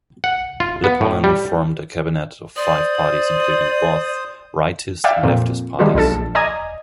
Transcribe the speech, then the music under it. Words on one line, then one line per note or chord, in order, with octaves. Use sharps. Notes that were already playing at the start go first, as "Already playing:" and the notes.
Lipponen formed a cabinet of five parties including both rightist and leftist parties.
F#5
F4
B3
A2
G3
C5 D5 D#6
D5 E5 F5 G5
F2 A#2
D#3 F3 G3 G#3 F4
B1 D4 A4 A5
A#1
D5 D#5 G#5 A#5 D#6 G#6